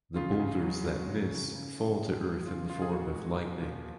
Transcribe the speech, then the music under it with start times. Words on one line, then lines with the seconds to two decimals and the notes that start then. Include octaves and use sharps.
The boulders that miss fall to earth in the form of lightning.
0.16 C#3 F4
0.39 C#3
0.62 F#3
0.85 F#3
1.08 C#3
1.31 C#3
1.55 C#3
1.78 C#3
2.00 G#3
2.23 G#3 G#4
2.46 C#3 F4
2.70 C#3 F4
2.82 G#4
2.92 A#2 F#4
3.15 G#3
3.38 F3
3.62 A#2